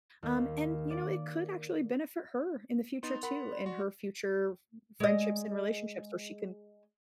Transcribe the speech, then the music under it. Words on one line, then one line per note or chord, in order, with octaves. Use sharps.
um, and, you know, it could actually benefit her in the future too, in her future f friendships and relationships where she can
D#2
D5
B3 D#4 C6 A6 F7
A#4 F#5 B5
D5
F#4
G#3 D#5